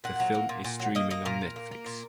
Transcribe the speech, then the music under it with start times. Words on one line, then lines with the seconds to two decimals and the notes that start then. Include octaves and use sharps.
The film is streaming on Netflix.
0.04 A#2 F#5
0.20 F#3
0.35 A#3
0.49 A#2
0.64 A#2
0.79 F#3
0.95 A#3 D#5
1.10 A#3 D#5
1.25 A#2 A#4
1.41 A#2
1.56 A#3
1.72 A#3
1.86 A#2